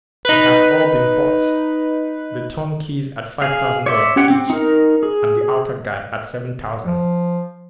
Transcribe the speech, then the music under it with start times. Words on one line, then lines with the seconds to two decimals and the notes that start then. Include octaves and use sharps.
They have all been bought--the turnkeys at five thousand dollars each, and the outer guard at seven thousand.
0.25 D#4 B4
3.42 G#4 F5
3.86 C#5 D5 E5 C6
4.16 C#4 G4 C#5 F#5 G5
4.30 C4
4.50 D#4 A#4
5.03 G#4
6.85 F3